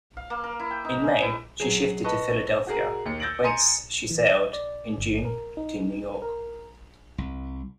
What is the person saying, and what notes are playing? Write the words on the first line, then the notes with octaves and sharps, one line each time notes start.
In May, she shifted to Philadelphia, whence she sailed, in June, to New York.
F5
A#3
A#4
E4
G5
D#4
G#3
E4
F#3 G#4
B4 D#5 A5 C#6
F#4 G#4 A#4
D#2 C#7
E6 G6 A6 A#6 D7 F#7
G#5 A#5 C6 D#6 C#7 D#7
E3
D#5
D5
G1
A#4
D#4
A#4
C2